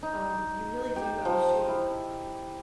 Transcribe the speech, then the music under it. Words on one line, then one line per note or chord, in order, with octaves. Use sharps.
um, you really do, I'm sure,
D#4
G4
F3
E4